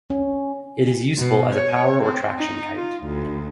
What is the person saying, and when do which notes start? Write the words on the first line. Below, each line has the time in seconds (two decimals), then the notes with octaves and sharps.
It is useful as a power or traction kite.
0.10 C#4
1.18 B2
1.55 C#5
2.03 C4
2.38 D#4
2.76 F4
3.04 D2